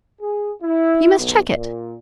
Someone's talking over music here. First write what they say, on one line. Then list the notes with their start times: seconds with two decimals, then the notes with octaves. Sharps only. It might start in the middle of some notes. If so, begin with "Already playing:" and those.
You must check it.
0.21 G#4
0.63 E4
1.18 B1
1.54 A#2